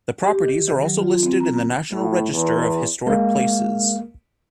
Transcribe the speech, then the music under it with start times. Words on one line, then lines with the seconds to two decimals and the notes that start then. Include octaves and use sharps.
The properties are also listed in the National Register of Historic Places.
0.24 G4
0.45 D#3
0.68 D#3
0.83 F#3
0.99 F4
1.23 C4
1.40 A#5
1.54 A#5
1.91 A2
2.32 E2
3.07 G#3 A#3 A#4 F5